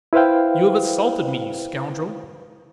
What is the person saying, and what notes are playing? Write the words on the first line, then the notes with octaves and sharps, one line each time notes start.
"You have assaulted me, you scoundrel!"
E4 B4 C5 F5 G5